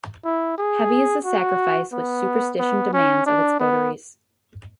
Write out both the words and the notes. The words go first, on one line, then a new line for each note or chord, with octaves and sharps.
Heavy is the sacrifice which superstition demands of its votaries.
E4
G#4
F#4
B3
B3
C#4
D4
B3